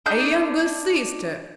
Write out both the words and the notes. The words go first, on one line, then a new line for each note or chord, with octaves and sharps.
A younger sister!
D4 D#4 G6